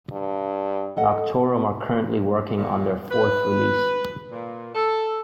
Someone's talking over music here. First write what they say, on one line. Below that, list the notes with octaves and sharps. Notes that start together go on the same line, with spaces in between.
Noctorum are currently working on their fourth release.
G2
A4 D#5 F#5
A#2
B4
A#2
A4